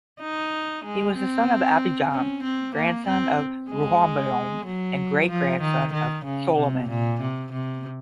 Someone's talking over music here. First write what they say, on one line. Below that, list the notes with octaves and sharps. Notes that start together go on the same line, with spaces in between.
He was the son of Abijam, grandson of Rehoboam, and great-grandson of Solomon.
D#4
G#3
C4
C#4
C4
A#3
C4
G#3
F#3
F3
D#3
D#3
C#3
C3
A#2
C3
C3